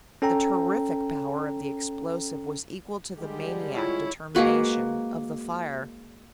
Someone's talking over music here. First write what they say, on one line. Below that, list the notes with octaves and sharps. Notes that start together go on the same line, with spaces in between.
The terrific power of the explosive was equal to the maniac determination of the fire.
C#4 A4 G5 A#5
D3 G3 G#3 G4
E4 F4 C#5
G#3 A#3 F#4 B4